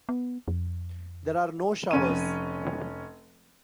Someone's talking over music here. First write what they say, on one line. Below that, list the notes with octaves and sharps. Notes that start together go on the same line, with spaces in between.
There are no showers.
B3
F2
F1 C#4 D#7